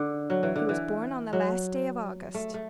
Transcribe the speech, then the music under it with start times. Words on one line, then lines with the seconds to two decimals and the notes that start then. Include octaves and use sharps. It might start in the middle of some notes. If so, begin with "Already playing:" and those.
"He was born on the last day of August."
Already playing: D3
0.30 F#3
0.43 E3
0.56 D3
0.69 E3
1.33 F#3
2.34 A3
2.54 A3